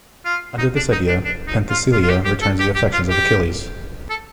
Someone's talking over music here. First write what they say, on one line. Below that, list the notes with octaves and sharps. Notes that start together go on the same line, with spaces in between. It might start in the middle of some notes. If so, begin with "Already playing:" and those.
Under this idea, Penthesilea returns the affections of Achilles.
F4
D#4
D4
D#4
D4
D4
D#4
F4
F4
F4
G4
G4
A4
G4
G4
F4
G4
A4